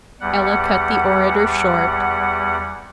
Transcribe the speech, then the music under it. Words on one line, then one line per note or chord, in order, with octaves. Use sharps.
Ella cut the orator short.
E2 G3 F#5